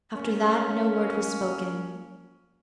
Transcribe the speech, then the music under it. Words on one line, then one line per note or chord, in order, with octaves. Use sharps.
After that no word was spoken.
A#3 C#4